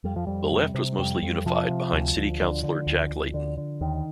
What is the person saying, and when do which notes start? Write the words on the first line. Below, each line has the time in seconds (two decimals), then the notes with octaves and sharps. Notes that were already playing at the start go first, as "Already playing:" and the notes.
The left was mostly unified behind city councillor Jack Layton.
0.04 F2 G3
0.16 F3
0.27 F2 G3
0.51 C3
0.74 C3
0.99 F2 G3
1.22 F2
1.46 C3 F3
1.69 C3
1.93 D2
2.16 D2
2.40 D3
2.63 D3
2.87 D2
3.10 D2
3.34 D3
3.57 D3
3.81 D#2 D#3